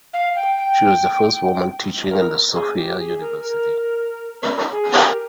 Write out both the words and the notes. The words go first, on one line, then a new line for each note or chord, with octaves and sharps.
She was the first woman teaching in the Sofia University.
F5
G5
G5
A#4
G#4
G4
G#4
A#4
A#4
G#4
G4
A#4